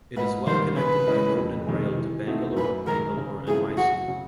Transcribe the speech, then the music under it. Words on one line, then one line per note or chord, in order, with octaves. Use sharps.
It is well connected by road and rail to Bangalore, Mangalore and Mysore.
G#2 B4
D#3 G3 A#3 C5
C#3 B4
E3 G#3 C#4
F2
C3 D#3 G#3
E3
A3 C4 D#4 F#4
F#2 B4
D#3 G#3 A#4
C#3
E3 A3 C4 F4 G#4
F#2 F#4
C#3 F#3